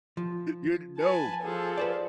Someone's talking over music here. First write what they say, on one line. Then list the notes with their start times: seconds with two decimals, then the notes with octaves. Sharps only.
you no,
0.17 F3
0.98 B4 G#5 A5
1.42 F3 G#4 A4
1.77 B4 C5 D5